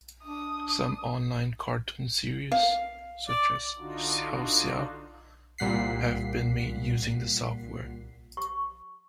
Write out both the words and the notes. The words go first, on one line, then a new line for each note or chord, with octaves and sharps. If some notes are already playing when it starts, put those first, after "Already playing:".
Some online cartoon series, such as "Xiao Xiao", have been made using the software.
D4 D#6
F5
D5
D3 D4 D#4 F4 F#4
C2 A#2 G3 F#5 B6 C7
C#6